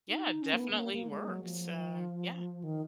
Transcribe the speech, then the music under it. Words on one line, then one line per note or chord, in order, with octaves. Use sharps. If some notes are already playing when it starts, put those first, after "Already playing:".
Yeah, definitely works. Um, yeah.
D#4
D#4
C#4
A#3
B3
A#3
A#3
G#3
F#3
F3
D#3